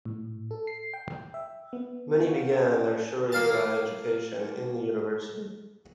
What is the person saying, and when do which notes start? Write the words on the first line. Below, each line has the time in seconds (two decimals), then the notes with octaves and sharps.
Many begin their Shirayuri education in the university.
0.05 A2
0.51 A4
0.67 C7
0.94 G5
1.34 E5
1.73 B3
2.26 C#4 F4 G4 G#4 F5 F#5
2.73 D5 G#5 A5
3.32 A#3 F5 A5